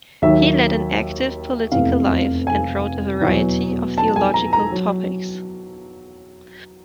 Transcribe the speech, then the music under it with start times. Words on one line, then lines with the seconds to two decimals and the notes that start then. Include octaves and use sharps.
He led an active political life and wrote on a variety of theological topics.
0.22 D#2 D#3 F#3 E5
1.72 F1 E2 C3 F5
2.47 G#5
3.21 E2 B2 F#3
3.98 A5
4.16 G#5
4.34 A#5
4.53 A#5
4.72 F#3